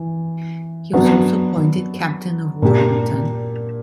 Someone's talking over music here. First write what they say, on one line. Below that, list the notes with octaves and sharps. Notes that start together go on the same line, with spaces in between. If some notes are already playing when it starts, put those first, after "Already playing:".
He was also appointed captain of Warrington.
Already playing: E3
F#3 B3 D4
A#2 A#3 D4 G4